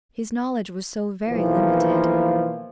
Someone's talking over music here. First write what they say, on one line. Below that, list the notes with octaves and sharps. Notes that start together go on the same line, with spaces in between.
His knowledge was so very limited.
B1 E3 F3 A#3